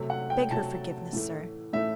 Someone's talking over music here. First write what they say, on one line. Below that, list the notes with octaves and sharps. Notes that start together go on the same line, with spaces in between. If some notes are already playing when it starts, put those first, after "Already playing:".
Beg her forgiveness, sir.
Already playing: C3 F#3 A3
F#5
G5
C3 F#3 A3 A5
A2 E3 A3
A2 E3 A3 E5